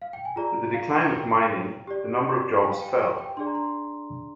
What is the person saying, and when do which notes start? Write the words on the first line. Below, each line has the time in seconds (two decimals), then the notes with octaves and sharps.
With the decline of mining, the number of jobs fell.
0.02 F5
0.13 G5
0.25 G#5
0.36 F4 G#4 D5 A#5
0.74 F5
1.12 G5
1.87 G4 D5
2.57 G5
2.62 G#5
2.72 F5
2.81 G5
3.00 G5
3.18 G5
3.37 D4 G#4 D5 C6
3.47 A#5
3.55 C6